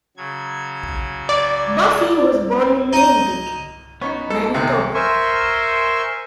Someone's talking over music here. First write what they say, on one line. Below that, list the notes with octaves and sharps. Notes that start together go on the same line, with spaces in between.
Buffie was born in Winnipeg, Manitoba.
C#3 F#3 G#6
D5
D#4 D#6
B3 C#4 D#4 F#4
A4
F#2 C3 D#3 G#4
A#4 C5 E5 G#5 C6 C#6